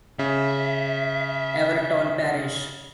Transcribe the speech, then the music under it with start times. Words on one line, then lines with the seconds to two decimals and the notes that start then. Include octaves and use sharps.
Everton parish.
0.19 C#3 E5